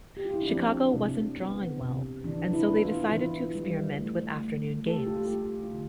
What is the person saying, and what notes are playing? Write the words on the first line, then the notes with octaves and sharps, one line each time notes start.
Chicago wasn't drawing well and so they decided to experiment with afternoon games.
G4
F4
E4
D4
F3 C4
C3
B3
C3
E3 D4
E4
B3
F4
E3 E4
G3
A3
A3
A3 A4
G4
F4
G4
A3
F4
D3